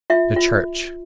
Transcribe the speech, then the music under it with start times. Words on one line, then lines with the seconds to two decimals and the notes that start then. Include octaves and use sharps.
The church...
0.10 F4 E5
0.36 F4